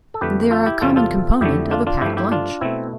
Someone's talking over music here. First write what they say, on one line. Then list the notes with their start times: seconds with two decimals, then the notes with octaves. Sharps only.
They are a common component of a packed lunch.
0.14 A4
0.21 F2 D3 A3 G4 B4
0.51 F4 A4
0.66 E4 G4
0.81 E2 C3 G3 F4 A4
0.96 F4 A4
1.41 F2 D3 A3 E4 G4
1.71 D4 F4
1.87 D4 F4
2.01 G2 F3 A3 E4 G4
2.17 E4 G4
2.32 D4 F4
2.61 B2 A3 C4 E4